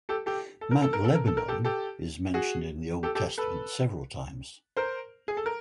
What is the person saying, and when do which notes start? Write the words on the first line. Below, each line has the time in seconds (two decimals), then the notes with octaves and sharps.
Mount Lebanon is mentioned in the Old Testament several times.
0.09 G4 A4
0.26 G4 A4
0.61 A4
0.71 A#4
0.82 A4
0.93 A#4
1.05 A4
1.15 A#4
1.27 A4
1.37 A#4
1.48 G4 A4
1.65 G4 A4
2.34 F#4 G#4
3.03 G4 A4
3.15 G4 A4
3.38 A4 B4
4.77 A#4 C5
5.28 G#4
5.37 A4
5.46 A#4